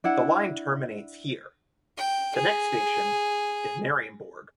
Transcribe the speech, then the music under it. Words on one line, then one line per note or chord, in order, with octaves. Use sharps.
The line terminates here; the next station is Mariembourg.
D4 E4 F#5
G5
G#4